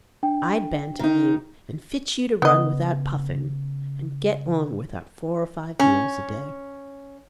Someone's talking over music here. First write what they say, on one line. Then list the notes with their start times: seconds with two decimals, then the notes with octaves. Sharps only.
I'd Banting you, and fit you to run without puffing, and get on without four or five meals a day.
0.23 D4 G5
0.99 D#3 D#4
2.42 C#3 B3 D#5
5.79 C#4